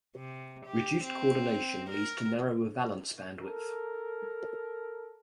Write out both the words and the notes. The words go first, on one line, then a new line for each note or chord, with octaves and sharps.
Reduced coordination leads to narrower valence bandwidth.
C3
G4
C4
A#4
A4 A#4